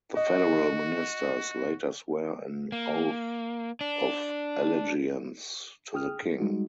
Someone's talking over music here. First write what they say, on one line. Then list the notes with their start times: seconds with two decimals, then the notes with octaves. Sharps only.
The federal ministers later swear an oath of allegiance to the king.
0.17 F#4 D#5
2.72 A#3
3.81 D4
5.93 G#4 G5 D#6 F6
6.39 G3 G#3 D#4 F#4